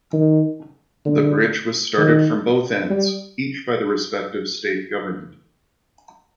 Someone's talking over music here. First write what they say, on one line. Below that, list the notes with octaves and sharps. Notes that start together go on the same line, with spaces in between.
The bridge was started from both ends, each by the respective state government.
D#3
D3
D#3
G3